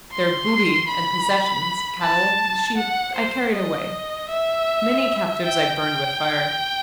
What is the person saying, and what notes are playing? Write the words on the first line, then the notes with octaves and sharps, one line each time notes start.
Their booty and possessions, cattle, sheep, I carried away; many captives I burned with fire.
C6
B5
A5
F#5
C5
D#5
E5
G5
G5